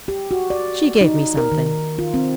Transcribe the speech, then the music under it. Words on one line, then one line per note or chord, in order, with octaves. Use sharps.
She gave me something.'
G4
F#4
D5
D#4
A#4
D#3
F4
C4